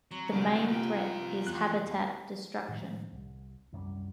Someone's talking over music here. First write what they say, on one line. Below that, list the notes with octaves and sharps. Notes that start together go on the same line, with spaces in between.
The main threat is habitat destruction.
F#3 C4 A#5 C#6
C2 G2 D3 D4 F#4 G#5
F2 F4 G5 A#5
E2 F#6
A2 D#3 F3
C2
C2 F#2 F3 G3